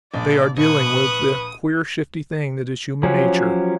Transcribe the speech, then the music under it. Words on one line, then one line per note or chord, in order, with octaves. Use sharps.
They are dealing with the queer, shifty thing that is human nature.
A#1 D5
A#1 B4 C#6 D#6 F#6
F3 F#3 C#4 G4